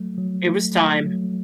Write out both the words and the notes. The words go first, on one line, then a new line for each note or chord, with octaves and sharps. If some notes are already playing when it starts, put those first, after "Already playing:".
it was time.
Already playing: F#3 A3
F#3
A3
A3
F#3